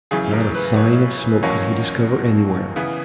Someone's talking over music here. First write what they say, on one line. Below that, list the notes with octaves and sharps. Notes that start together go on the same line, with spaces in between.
Not a sign of smoke could he discover anywhere.
F#2 C#3 E3 G#4
A#4
B4
C#5
E2 B2 F#3 A#3 C#4 C#5
C#3 E3 B3